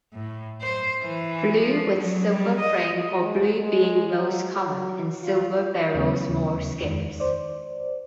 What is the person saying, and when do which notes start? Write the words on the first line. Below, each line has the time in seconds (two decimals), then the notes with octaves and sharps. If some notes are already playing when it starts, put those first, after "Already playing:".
Blue with silver frame or blue being most common and silver barrels more scarce.
0.13 A2
0.62 C5
1.02 E3
1.59 F3
1.97 F#3
2.30 G3
2.59 D#5
3.21 G#3
3.60 G#3
4.14 F#3
4.54 F#3
5.23 F4
5.94 D#2 C#3 F#3 A3 B3 C#4
6.83 F2 D#3 G#3
7.20 C5 D5